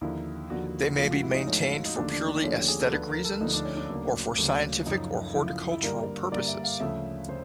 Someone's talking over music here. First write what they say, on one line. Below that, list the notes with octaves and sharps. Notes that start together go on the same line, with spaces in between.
They may be maintained for purely aesthetic reasons or for scientific or horticultural purposes.
D#2 D3 F3 A#3 E4
D#2 D3 F3 A#3 F#4
G#2 F3 A3 F4
F#4
E4
D#4
G#2 F3 A3 C#4
D#4
D#2 D3 F3 A3 D4
D4
D4
D#2 D3 F3 A3 C#4
G4
G#4
A4
D2 D3 F3 A3 B4
A#4
A4
D2 D3 F3 A3 D#4
D4
C#4
D4
D2 C#3 F#3 A#3
D2 C#3 F#3 A#3
F#2 C#3 F3 D#4
F#2 C#3 F3 E4
F4
E4
G2 D3 G3 A#3 A#4
G2 D3 G3 A#3 D5
E5
F5
D2 C#3 F3 A3 E5
C#3 C5